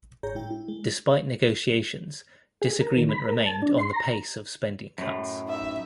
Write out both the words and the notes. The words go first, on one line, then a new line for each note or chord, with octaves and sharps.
Despite negotiations disagreement remained on the pace of spending cuts.
G1 G#2 G#4 C#5 A#5 G6
A2 G#3 E4 G5
E4
G#3
G#4
A#4
D#3
B5
A#4
A5
D4
C6
A#5
F#2 A2
D#4 E5